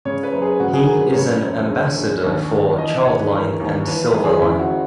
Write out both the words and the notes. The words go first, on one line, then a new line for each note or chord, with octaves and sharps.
He is an Ambassador for Childline and Silverline.
C#3 C#5
B4
F#1
G#4
C#3 F#4
G#4
F#1 A#4
B4
C#3 C#5
E1
A#1
A#1
D#2
D#2
E3 D#5
D#5
D#2 C#5
B4
E3 A#4
D#2
E3 B4
B4
G#1
G#4
C#3 E4
F#4